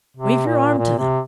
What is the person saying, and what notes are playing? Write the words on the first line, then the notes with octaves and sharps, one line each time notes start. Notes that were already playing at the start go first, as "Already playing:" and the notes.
"Wave your arm to them."
C3
A#2
A#2
C3